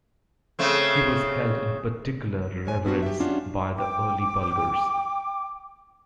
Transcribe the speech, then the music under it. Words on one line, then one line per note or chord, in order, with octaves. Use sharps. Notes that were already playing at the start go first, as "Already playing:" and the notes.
He was held in particular reverence by the early Bulgars.
C#3 A3 C4
G2 C#5 G#5
B3 D4 F4 F#4
G4 E5
F#3 C#4 D4 F4 F#4
G5 D6